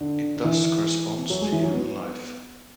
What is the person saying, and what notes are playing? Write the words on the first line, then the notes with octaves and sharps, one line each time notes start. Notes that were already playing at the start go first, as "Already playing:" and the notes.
It thus corresponds to human life.
D3
D3
E3
F#3
G#3
E3
F#3
B3